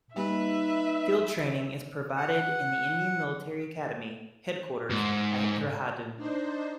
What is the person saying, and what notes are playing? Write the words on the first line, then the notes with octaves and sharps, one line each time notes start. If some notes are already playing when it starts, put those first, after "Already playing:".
Field training is provided in the Indian Military Academy Headquarters at Dehradun.
G3 A#3 D#4 G4 B4 E5
F#5
G#2
D4 D#4 C5